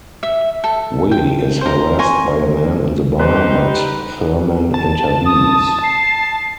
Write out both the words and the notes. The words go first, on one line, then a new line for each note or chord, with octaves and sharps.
Willie is harassed by a man in the bar, but Thurman intervenes.
E5
A4
G5
A#4 C5
A#4 G#5 C6 C#6
G3 D#4 G4 B4 C5
A5
D#6
C7